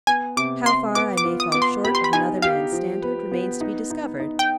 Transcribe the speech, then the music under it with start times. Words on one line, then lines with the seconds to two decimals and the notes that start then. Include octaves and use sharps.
How far I may fall short of another man's standard, remains to be discovered.
0.07 B3 G#5
0.37 C3 D6
0.66 C3 C6
0.95 B3 D6
1.17 D6
1.25 F4
1.40 D#6
1.52 B3 D6
1.62 C6
1.84 G4 B5
1.95 C6
2.04 B5
2.13 D#4 G#5
2.42 G4 F5
2.72 F3
3.02 B4
3.32 B3
3.61 D#4
3.90 D#4
4.20 D#4
4.39 G5